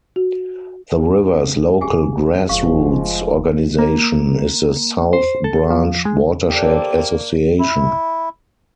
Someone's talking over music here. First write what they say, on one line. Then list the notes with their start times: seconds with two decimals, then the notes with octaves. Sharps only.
The river's local grassroots organization is the South Branch Watershed Association.
0.16 F#4
1.17 A#1 D#2
1.48 F2
1.81 D1 D3 G4 G#4 G#5
2.49 F1 A2 F3 G#3 F5 C#6
3.79 A#3
5.13 C5
5.44 A4
5.71 F3
6.05 G#3
6.50 A#3 D4 G4 A4 C5 D5
7.59 E4